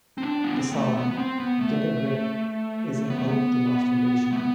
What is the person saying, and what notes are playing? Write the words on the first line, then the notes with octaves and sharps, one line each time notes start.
The song "Get a Grip" is an ode to masturbation.
C4
D4
B3
C4
B3
A3
B3
B3
C4
B3
A3
B3
A3
B3
A3
B3